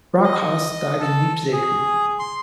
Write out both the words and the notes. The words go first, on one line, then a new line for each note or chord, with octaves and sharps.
Brockhaus died in Leipzig.
D#5
A4
G#4
C6